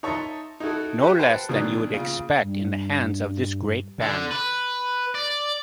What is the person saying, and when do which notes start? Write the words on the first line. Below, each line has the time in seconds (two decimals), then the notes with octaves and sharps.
No less than you’d expect in the hands of this great band.
0.03 D#4 C#5 E5 A5 A#5 C6
0.60 D#4 E4 F#4 A4
0.99 F#4 G4 E5
1.19 B4 C5 F#5 G5 A5 F#6
1.49 B2 D#3 E3 F#3 A#3 D4
1.94 A#2 C#3
2.41 G2
4.02 D3
4.31 B4
5.15 D5